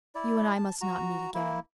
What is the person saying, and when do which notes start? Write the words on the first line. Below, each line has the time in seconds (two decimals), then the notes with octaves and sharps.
You and I must not meet again.
0.15 E4 D5
0.56 A5
0.81 F#4 A#5
1.34 A#3 E4